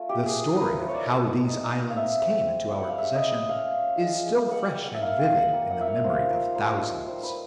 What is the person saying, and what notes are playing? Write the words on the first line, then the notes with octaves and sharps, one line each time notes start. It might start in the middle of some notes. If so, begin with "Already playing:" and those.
The story of how these islands came into our possession is still fresh and vivid in the memory of thousands.
Already playing: A3 F4
G4
C4
G#4
A3
A#4 B4
A3
C5
C#5
D#4 D5
G3
D#4 D#5
G3
F5
C4 E5
C4
C4
G3 G5
F#5
F5
G#3 E5
D#5
G#3
E5
C#4 F5
C#4
G#3
G#3
G#3 F#5
G5
G#3
F#5
E5
A#3 F5
G5
A#3
F#5
A#3 G5
F#5
F4 E5
F5
G3 C5
D#4
D#4 C5
G3
G3 C5
B4